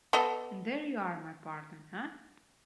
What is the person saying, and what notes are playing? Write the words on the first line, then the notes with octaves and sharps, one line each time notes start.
And there you are, my partner, eh?
B3 A4 D#5